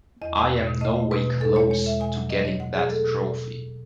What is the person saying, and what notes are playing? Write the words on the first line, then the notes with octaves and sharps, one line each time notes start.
I am no way close to getting that trophy.
E2 D#5
E2
B2
B2
A3 D#5
A3
B2 B4
B2
E2 A4
G#3 C#5
E2 C#5
G#3 E5
B2 G#5
F#3 F#5
F#3 D#5
F#3 C#5
B2 F#5
B2 G#4
A3 A4
B2